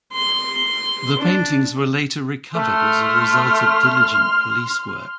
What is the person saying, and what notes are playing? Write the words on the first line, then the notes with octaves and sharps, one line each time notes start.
The paintings were later recovered as a result of diligent police work.
C6
D4
A3 C6 F6